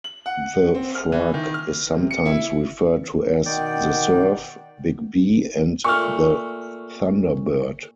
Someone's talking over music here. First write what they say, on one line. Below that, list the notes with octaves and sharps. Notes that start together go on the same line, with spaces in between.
The Frug is sometimes referred to as the Surf, Big Bea, and the Thunderbird.
F#7
F#5
C4
F6
E3
D#3
F6
C3
C#7
E4
B2 D#3 D5 F#5 G5
A#2 A3 C#6 F6